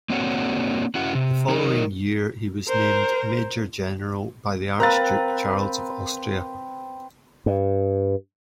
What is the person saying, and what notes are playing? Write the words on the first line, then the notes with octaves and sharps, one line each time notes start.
The following year he was named major-general by the Archduke Charles of Austria.
A#3 C4 D4 F#4 C#5 F#5
C#4 E4 F#4 F#5
C3
F#3 D#4 A#4
A#4 C5
C4 A#4 B4 F5 A#5 F#6 A6
G2